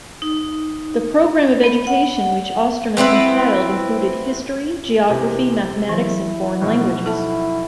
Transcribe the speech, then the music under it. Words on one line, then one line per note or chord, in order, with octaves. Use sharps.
The program of education which Ostermann compiled included history, geography, mathematics, and foreign languages.
D#4
B3
F#5
B3 C4 E4 B4
C3 E3
E3 F#3 E4
B1 F2 B2
E4 A4 A5